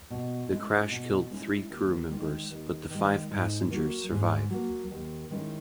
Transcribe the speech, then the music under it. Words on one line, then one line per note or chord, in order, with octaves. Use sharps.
The crash killed three crew members, but the five passengers survived.
B2
G#3 C#4 E4
B2
G#3 C#4 E4
D#2
D#3 G#3
D#2
D#3 G#3
G#2
F#3 A#3
G#2
F#3 A#3
D#2
D#3 G#3 C#4 E4